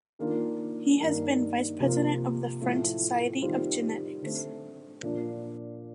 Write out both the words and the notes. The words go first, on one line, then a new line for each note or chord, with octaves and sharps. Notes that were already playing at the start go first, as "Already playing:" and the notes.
He has been Vice President of the French Society of Genetics.
D#3 A#3 D4 F4
G2 D#3 A#3 D#4
C3 F3 A#3 F4
A2 F3 A3
D#3 G3 C4 F4
D3 A3 C4
A#2 F3 A#3 D4